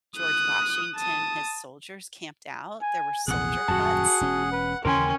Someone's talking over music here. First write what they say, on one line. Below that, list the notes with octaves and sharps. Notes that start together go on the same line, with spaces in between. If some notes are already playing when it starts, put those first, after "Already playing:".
George Washington his soldiers camped out, there were soldier huts
D#6 F#6
A5 D#6
G#5
A#1 E2 C3 G#4 F#5
D#1 F#2 F#4 A5
E1 C#4
B4
D#2 C#3 E3 C#4 A#4 G5 G#5 C6